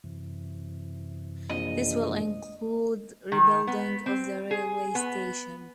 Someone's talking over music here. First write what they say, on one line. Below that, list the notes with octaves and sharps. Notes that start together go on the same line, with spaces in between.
This will include rebuilding of the railway station.
F#2 C3 E3
A#1 D#5
D#3
B3
C4
G#4
B3